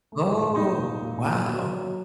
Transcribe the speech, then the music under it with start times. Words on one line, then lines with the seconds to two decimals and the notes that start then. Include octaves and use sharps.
Oh, wow.
0.12 A3
0.34 A2
0.56 A#2 D#4
0.78 A#2
1.02 A#2
1.24 A#2
1.46 F#3
1.69 F#3